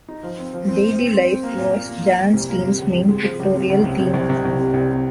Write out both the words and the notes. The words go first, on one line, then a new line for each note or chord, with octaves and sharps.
Daily life was Jan Steen's main pictorial theme.
D#4
F3
C4
F3
C4
C4
C4
C4
C4
A#3
A#2
A#3
A#3
A#3
A#3
C2
A#3
C3
C#2
C3
G#3
F3
C#2
C3
C#2
C2
C2
C2
C2
C2
C3
C2
C3